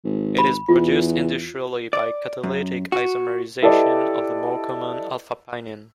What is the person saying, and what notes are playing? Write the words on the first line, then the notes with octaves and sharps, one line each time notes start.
It is produced industrially by catalytic isomerization of the more common alpha-pinene.
G#1
B5
E2 F4
D5
F#2
F#4
E4 G4 A4 B4 D5 D#5